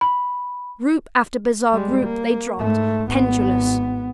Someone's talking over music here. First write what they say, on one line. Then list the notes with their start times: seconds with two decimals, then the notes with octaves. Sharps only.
Group after bizarre group they dropped; pendulous.
0.01 B5
1.73 G3 G#3
2.03 A#3
2.57 G#2 A3
3.09 G#1 B3